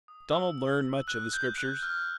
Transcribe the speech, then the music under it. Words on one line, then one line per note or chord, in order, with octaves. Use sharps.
Donald learned much of the Scriptures.
D#6
E6
F#6
G6
F#6
F6